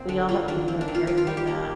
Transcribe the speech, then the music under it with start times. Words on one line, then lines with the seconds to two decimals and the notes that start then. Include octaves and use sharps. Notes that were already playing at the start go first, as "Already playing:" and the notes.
We all have to be more careful of that.
Already playing: A#3 C4
0.09 D3 D4
0.29 A#3 F4
0.48 D#3 D4
0.68 A#3 C4
0.81 D4
0.88 D#3
0.95 F4
1.07 D#3 F4
1.17 F4
1.27 G3 G4
1.37 G4
1.47 A#3